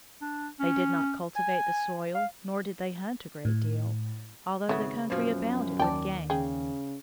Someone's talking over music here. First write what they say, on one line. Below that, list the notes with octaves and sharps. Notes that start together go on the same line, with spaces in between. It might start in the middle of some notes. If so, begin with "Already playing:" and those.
They did not cultivate the soil, nor did they hunt a great deal, although the country abounded with game.
D4
C#4
G#5
F5
A2
G#1 C#3 A3 B3
F#2 B2 F3
D#2 D#3 D5 G5 A5
C#3 G#4 G5